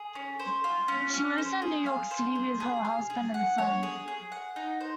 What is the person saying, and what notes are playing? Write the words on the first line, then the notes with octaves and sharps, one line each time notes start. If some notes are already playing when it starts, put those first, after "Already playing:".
She lives in New York City with her husband and son.
Already playing: G#4
C#4
C5
F4
C#4
C#4
C5
G#4
F5
C5
G#4
G#4
F5
G#4
F#5
C#5
G#4
G#4
F#5
D#4
C5